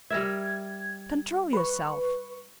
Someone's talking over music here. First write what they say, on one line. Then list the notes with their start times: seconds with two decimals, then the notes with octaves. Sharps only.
Control yourself!
0.10 G3 A#4 E5 G#6
1.53 B4 C#6